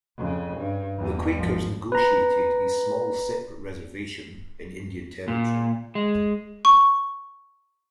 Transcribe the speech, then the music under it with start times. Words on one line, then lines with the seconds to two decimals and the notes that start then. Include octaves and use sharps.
The Quakers negotiated a small separate reservation in Indian Territory.
0.18 F2 C#3
0.57 G2
0.98 E2 G3
1.38 G#1 F3
1.92 B4 A#5
5.28 A#2
5.95 G#3
6.65 C#6